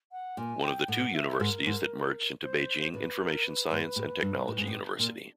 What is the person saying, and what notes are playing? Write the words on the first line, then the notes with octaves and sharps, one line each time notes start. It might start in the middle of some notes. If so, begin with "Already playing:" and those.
One of the two universities that merged into Beijing Information Science and Technology University.
F#5
A#2 G#5
G5
A2 F#5
E5
G#2 A#4
G#2
C5
A2 B4
A#4
B4
G#2
A2
G2
A2
G#2
A2
A#2